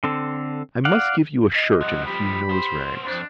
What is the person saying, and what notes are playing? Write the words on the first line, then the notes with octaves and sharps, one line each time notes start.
I must give you a shirt and a few noserags.
D3 C4 A4
D5 F5 F#5
D#5
F3 G3 F#5
G4 B5
B3 C5
F2 D4 C5